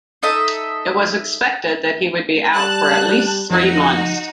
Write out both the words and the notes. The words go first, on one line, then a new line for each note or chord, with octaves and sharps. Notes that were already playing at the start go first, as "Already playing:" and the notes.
It was expected that he would be out for at least three months.
D#4 A4 D#5 E5
G3 A5 F#6
F2 F3 D#4 F#4